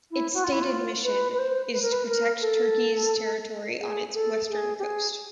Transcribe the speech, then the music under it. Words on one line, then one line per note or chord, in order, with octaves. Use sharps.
Its stated mission is to protect Turkey's territory on its western coast.
E4
F#4
F4
E4
F4
B4
B4
C5
B4
A#4
B4
A#4
A4
G#4
A4
G#4
G4
G#4